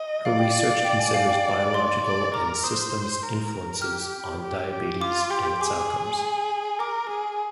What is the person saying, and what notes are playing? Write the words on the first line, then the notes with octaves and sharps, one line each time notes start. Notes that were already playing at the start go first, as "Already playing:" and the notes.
Her research considers biological and systems influences on diabetes and its outcomes.
Already playing: D#5
D5 F5
G5
F5
F5
G5
G#5
F5
G5
C6
D5
A#4 D6
C5 D#6
A#4
G4 F6
G4
G4
F4 D6
G4 C6
G#4 D6
A#4 D6
G#4